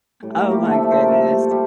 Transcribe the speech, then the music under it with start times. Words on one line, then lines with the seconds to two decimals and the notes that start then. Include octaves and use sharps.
Oh my goodness.
0.22 A2 G3
0.36 A#3 A#4
0.51 G3 G4
0.65 A#2 F3 A3 A4
0.75 E5
0.83 D5
0.92 C5
1.00 A#4
1.08 A#2 G3 A3 A4
1.51 G3 G4